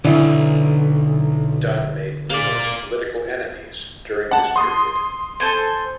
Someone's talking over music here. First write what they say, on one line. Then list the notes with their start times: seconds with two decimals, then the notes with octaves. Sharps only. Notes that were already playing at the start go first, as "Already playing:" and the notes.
Dunn made numerous political enemies during this period.
0.05 B1 D3 E4
2.30 A#3 D5
4.31 F#5 A5
4.56 C6 D#6
5.40 A4 C5 G#5